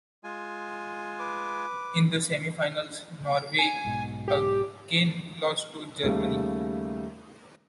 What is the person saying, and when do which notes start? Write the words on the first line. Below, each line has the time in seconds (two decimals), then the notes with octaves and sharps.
In the semi-finals, Norway again lost to Germany.
0.24 G#3 F4 G#5
1.19 B4 D6
3.59 G#5
3.84 B1 G#2 B2
4.28 G4
6.03 D#2 C#3 G3 A3